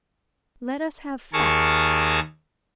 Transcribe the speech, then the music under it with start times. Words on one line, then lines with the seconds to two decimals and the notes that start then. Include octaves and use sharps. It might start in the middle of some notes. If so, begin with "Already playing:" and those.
Let us have facts.
1.33 D#2 G#4 A#4 A5 C#6